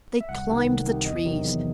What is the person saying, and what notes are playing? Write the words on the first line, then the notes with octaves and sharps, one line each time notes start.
They climbed the trees.
E5
C2 F#5
C3 D#3
C2
C3 D#3
E2 D#5
C3 D#3 F#3
E2